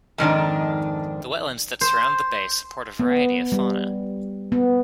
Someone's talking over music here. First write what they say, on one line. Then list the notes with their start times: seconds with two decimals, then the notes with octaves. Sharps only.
The wetlands that surround the bay support a variety of fauna.
0.18 F2 G#2 D#3 D4
1.81 C5
3.00 B3
3.52 G3
4.52 B3